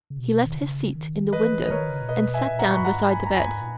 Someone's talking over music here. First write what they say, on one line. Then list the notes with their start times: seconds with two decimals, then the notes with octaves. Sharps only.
He left his seat in the window and sat down beside the bed.
0.10 C#3
0.18 B2
0.45 D#3
0.57 C#3
0.95 D#3
1.32 E3 B4 D#5
1.52 E3
1.63 D#5
1.66 E3
1.70 D#3 A#4 C#5
1.90 C#3
2.01 A#2
2.09 B2 B4 D#5
2.34 E5 G#5
2.46 A#2
2.59 F#5 A#5
2.71 C#6
2.77 F#2 B5
2.85 G#2 F#5 A#5
3.10 G#5 B5
3.26 E2 A#5
3.35 F#2 G#5 B5
3.49 G#2
3.61 A#2